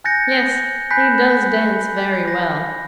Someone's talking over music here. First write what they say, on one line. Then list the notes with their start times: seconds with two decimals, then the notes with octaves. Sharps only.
"Yes, he does dance very well."
0.04 G#5 F#6 G6 A6 A#6 C#7
0.90 G#5 B5 F#6 G6 B6 C7
2.28 A#6